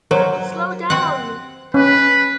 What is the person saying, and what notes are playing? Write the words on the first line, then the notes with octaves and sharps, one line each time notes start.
Slow down!
F#3 A#4 C5 C#5
C4 F#5
C#4 B4